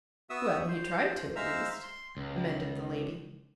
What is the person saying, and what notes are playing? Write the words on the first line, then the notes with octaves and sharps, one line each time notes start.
"Well, he tried to at least," amended the lady.
B3 F#4 E5 D#6 E6
C5
G#3 C5 E5 F5 A#5 E6
C6
C#2